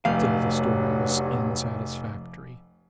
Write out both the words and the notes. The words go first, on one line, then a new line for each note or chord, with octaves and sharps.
Still the story was unsatisfactory.
F1 G2 F#3 A3 F5